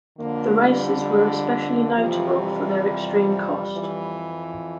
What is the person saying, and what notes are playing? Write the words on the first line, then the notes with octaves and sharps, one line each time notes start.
The races were especially notable for their extreme cost.
F2 D3 A#3
G3
F2 C3 E3 F3
G3
F2 E3